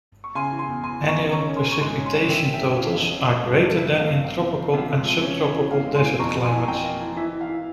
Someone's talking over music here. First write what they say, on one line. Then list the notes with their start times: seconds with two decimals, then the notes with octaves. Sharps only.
Annual precipitation totals are greater than in tropical and subtropical desert climates.
0.24 C#6
0.35 C#3 G#5 C6
0.51 E3
0.59 G#5 C6
0.68 E2
0.84 E2 G#5 C6
1.00 E2
1.08 A#5 C#6
1.16 C#3
1.32 C#4 A#5 C#6
1.49 C#4
1.56 G#5 C6
1.64 C#4
1.72 C#6
1.81 G#2 G#5 C6
1.97 C#4
2.05 G#5 C6
2.13 G3
2.30 E3 E5 G5
2.46 C#4
2.54 E5 G5
2.62 C#4
2.78 E3 F5
2.95 F2
3.11 C#4
3.27 A#3
3.43 G2
3.59 E3
3.76 G2 E5
3.92 G2
4.00 F5
4.08 G2
4.24 C3 F5
4.41 C3
4.57 F3
4.74 C3 F5
4.90 G#3
5.05 F3
5.22 C#4
5.38 C#4
5.55 E3
5.70 E2 F5
5.86 G#3
5.95 G#5 C6
6.03 E3
6.19 F2 A#5 C#6
6.35 F2
6.44 G#5 C6
6.52 E3
6.68 F2 G5 A#5
6.84 A#3
7.00 E3
7.16 E3 E5
7.32 E3
7.41 F5
7.49 E3